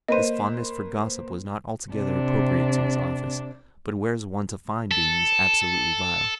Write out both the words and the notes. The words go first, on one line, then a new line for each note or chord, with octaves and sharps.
This fondness for gossip was not altogether appropriate to his office, but where is one to find beings absolutely vile?
A#3 B4 C5 D#5 D#7
C3 D4
A4